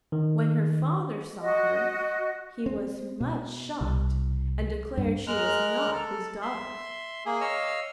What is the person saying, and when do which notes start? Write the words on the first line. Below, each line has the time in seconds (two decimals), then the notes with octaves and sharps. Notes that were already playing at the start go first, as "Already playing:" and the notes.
When her father saw her, he was much shocked and declared she was not his daughter.
0.12 D#3
1.42 F#4 D#5
2.66 C4
3.21 B2
3.81 C2
4.97 G2
5.27 G#3 A#4 A#5 F6 F#6
5.93 A4
6.42 E5 C6
7.26 A#3 G#4
7.41 C#5 D#5 F5 E6